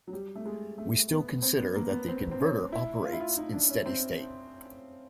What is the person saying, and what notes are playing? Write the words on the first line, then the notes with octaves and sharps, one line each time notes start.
We still consider that the converter operates in steady state.
F#3
G3
A3
G#3
A3
B3
C4
B3
A#3
B3
C4
C4
C#4
E4
F4
E4
F4
D#4
D4
C#4
C4